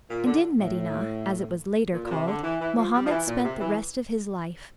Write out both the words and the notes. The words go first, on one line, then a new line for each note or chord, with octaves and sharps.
And in Medinah, as it was later called, Mohammed spent the rest of his life.
A#2
D3
A2
A#2
A#2
C3
D3
E3
E3
F3
G3
F3
E3
A#2
C3
E3